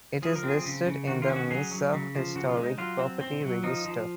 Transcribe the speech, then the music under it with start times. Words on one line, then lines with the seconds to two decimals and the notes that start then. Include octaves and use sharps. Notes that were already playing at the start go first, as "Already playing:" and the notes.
It is listed in the Mesa Historic Property Register.
0.22 F3 G#4
0.35 A#4
0.43 C4 G#4
0.65 C#3
0.87 C#3
1.07 D#3 F#4
1.22 F4
1.29 C#4
1.36 F#4
1.50 F#3 G#4
1.71 F#3
1.93 C#3
2.15 F3
2.36 C#3 F#4
2.49 F4
2.57 G#3
2.64 D#4
2.78 F#3 F4
2.99 C4
3.21 C4
3.42 F#3
3.63 F3 D#4
3.85 F3